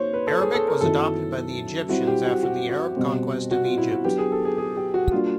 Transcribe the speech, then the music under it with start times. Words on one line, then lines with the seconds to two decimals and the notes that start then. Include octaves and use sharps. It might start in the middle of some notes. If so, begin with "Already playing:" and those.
Arabic was adopted by the Egyptians after the Arab conquest of Egypt.
Already playing: A#3 D#4 F#4 C5 C#5
0.13 B4
0.27 A4
0.40 G#4
0.54 A4
0.68 A#4
0.81 F#2 D#3 F#3 B3 E4 A4
1.88 G3 C4 E4 F#4
2.07 G4
2.25 F#4
2.43 F#4
2.69 F#4
2.96 B2 G3 C4
3.51 F#4
3.64 F4
3.77 E4
3.91 F#4
4.04 F#3 B3 D4 F#4 G4 B4
4.18 G#4
4.32 A4
4.45 G#4
4.58 G#4
4.77 G4
4.94 F#4
5.12 G3 A#3 D4 F4 F#4